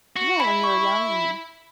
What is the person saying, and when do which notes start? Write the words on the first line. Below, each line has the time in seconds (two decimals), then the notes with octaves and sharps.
Yeah, when you were young, and
0.17 F#4
0.40 E4 B5
0.64 C#6